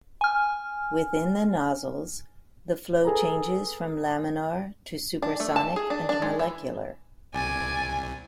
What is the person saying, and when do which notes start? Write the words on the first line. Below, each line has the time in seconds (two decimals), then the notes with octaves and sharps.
Within the nozzles, the flow changes from laminar, to supersonic and molecular.
0.21 G#5 F6
3.05 G#4 A4 B4 A#5
5.22 D4
5.40 A3
5.56 A5
5.76 G#4
5.90 D4
6.09 D4
6.22 G#3
6.39 E3
7.34 C2 D5 G#5